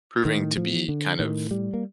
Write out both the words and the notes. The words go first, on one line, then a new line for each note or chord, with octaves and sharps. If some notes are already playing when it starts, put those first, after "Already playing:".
proving to be kind of
A2 D#3
F3
D3
A2 D#3
G3
A#3